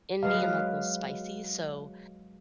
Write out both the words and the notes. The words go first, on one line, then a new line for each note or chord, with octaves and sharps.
in me. I'm a little spicy, so
F#3 G#3 B4 D#5 F5